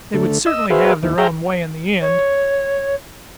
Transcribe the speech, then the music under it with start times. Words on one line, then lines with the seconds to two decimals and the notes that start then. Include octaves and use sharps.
They would certainly have their own way in the end.
0.14 D3 A3
0.46 D#5 E6
0.70 F#4 G#4 B4 C5 E5 F5
1.03 D#2 E3
1.18 G#4 E5 F5 G5 A#5
2.01 C#5